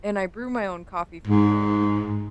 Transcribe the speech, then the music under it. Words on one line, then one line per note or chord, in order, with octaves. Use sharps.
And I brew my own coffee from home.
G#2